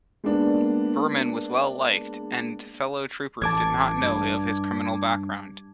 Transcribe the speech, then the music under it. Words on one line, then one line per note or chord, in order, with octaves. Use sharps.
Berman was well liked, and fellow troopers did not know of his criminal background.
G#3 A#3 B3 D4
A1 A5 D6 G#6
G2